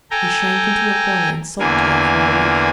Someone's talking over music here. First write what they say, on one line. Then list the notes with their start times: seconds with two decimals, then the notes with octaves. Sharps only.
He shrank into a corner and sulked there for a week.
0.11 A4 G5 G#5 A#5
1.59 E2 D3 A#3 G#5